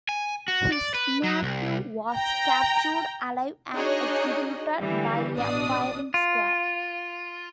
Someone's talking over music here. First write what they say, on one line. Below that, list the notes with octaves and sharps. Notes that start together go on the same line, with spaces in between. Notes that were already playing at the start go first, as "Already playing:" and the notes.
His nephew was captured alive and executed by a firing squad.
G#5
F#4
D5
B4
F#3
C2
G5 A#5
D4 D#4 F#4 G#4 C#5 D#5
D3 E3 G3
A1 B2 D4 D5 D#6
F4